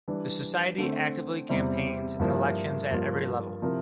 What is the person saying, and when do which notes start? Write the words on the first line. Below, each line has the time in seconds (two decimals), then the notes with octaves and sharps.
The society actively campaigns in elections at every level.
0.08 E3 G3 D4
0.78 D3 A3 C4
1.49 E2 C3 G3 C4 E4
2.19 G2 F3 A#3 E4
2.91 G2 F3 A#3 F4
3.62 C3 F3 C4 E4 A#4